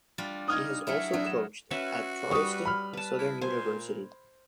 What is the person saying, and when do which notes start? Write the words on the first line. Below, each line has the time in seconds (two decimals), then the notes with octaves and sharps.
He has also coached at Charleston Southern University.
0.18 G3 D4 F4
0.48 D#4 D#6 F6 G#6
0.87 F#3 A3 E4 E5
1.13 F#3 D4
1.26 E7
1.71 C#4 F#4 B4 E5
2.31 G3 B4 C#6 D#6
2.65 B5 F6
2.93 B4 A5
3.19 E4
3.41 A#2 C5 G#5